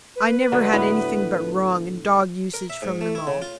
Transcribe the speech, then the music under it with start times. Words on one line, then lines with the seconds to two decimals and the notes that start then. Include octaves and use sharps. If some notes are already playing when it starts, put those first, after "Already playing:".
I never had anything but wrong and dog-usage from them all.
0.16 B4
0.52 D3 F#3
0.72 A2 B3
2.54 A#4
2.70 E5
2.82 G#2
3.01 A3
3.15 E4
3.27 C#3
3.42 F4